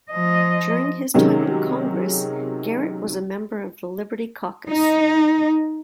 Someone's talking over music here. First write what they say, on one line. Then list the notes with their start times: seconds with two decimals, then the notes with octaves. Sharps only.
During his time in Congress, Garrett was a member of the Liberty Caucus.
0.12 F3 D#5
1.14 C3 D#3 F#3 G#3 C#4
4.69 D#4